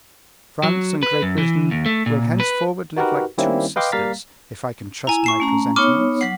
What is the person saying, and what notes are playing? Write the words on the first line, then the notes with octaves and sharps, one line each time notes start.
"France and Great Britain will henceforward live like two sisters, if I can trust my presentiments."
F#3
B4
F#2
E3
D#2
A3
A#2
B4
D#4 F#4 G4 A#4 B4
D#3 G3 A#3 C4 C#4 E4
B4 D#5 F5 G5 C6 D6
G3 A#3 F5 A#5 A6 B6
E4 G#5 A#5
C#6 C7 E7
A3 C#4 A#5
B3 D#4 C#5 C#6 D6 F6
F#3 F#5 C7